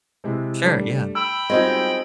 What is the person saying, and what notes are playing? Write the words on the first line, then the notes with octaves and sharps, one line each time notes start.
Sure, yeah.
C3 G#3 E4
G3 A3 D4
G5 B5 E6
G3 G#3 C4 D#4 F4 F#4